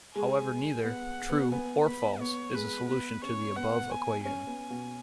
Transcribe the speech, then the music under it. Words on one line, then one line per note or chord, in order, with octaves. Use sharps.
However neither "true" or "false" is a solution to the above equation.
G#3 G#5
B3 F#5
B3
B3 G#5
B3 B5
B3 C#5
G#3 B4
B3 B4
C#4 C#5
B3 F#5
G#5
C#4 G#5
B3
B2